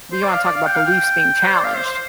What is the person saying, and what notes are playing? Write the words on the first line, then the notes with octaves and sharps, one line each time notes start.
you wanna talk about beliefs being challenged.
C5
D5
F5
D5
F5
G5
F5
G5
C5
D5
F5
C5
C5